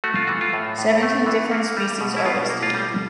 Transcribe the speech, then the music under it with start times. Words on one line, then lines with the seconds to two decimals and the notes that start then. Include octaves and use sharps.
Seventeen different species are listed.
0.04 A3 F#4
0.15 F4
0.27 E3 F#4
0.41 F4
0.53 A2
0.78 A2
1.03 A3
1.26 E3
1.51 A#3
1.77 G3
2.01 B2
2.17 E4
2.26 B2 F4
2.50 A#3
2.63 F4
2.74 G3